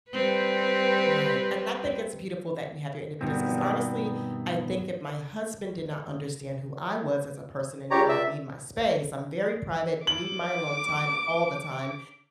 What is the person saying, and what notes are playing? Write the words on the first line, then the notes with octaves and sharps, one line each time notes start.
Right, and I think it's beautiful that you have your independence, 'cause honestly, I think if my husband did not understand who I was as a person and know that I need my space, I'm very private, need my alone time all the time,
G3 C4 B4
G2 B2 D#3 C4
C#2 G4 C#5 D5 A#5
E5
D6 F#7